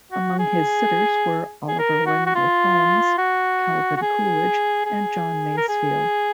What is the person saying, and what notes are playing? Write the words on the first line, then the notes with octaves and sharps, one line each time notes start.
Among his sitters were Oliver Wendell Holmes, Calvin Coolidge, and John Masefield.
F#4
G#4
G#4
A#4
F#4
F#4
F4
F#4
F#4
G#4
G#4
A#4
G#4